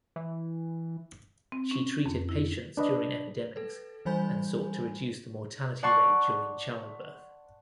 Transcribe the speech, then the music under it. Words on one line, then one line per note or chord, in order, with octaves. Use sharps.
She treated patients during epidemics and sought to reduce the mortality rate during childbirth.
E3
C4
C#4
F2
E4
D4 B4 D#5
A4 B4
E3 G3 C5 G#5 B5 G6
D5 F#5 A5 C6 C#6